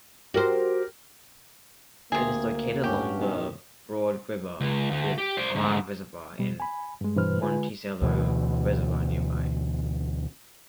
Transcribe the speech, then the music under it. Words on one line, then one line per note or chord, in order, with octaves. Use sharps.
It is located along the Broad River, with Parr Reservoir and Monticello Reservoir nearby.
F#4 G4 A#4 C5
D2 C3 A#3 G#4
G2 C#4 F#4 G4
F#2 B2 D#3
C#2
D2
G4
C5 D5
D2 G#2
B2 G3
G#5 B5
G2 G#3
G2 B2 E3 B4 C5 F6
D3 G#3 F4 B4 G#5
D2 B2 E3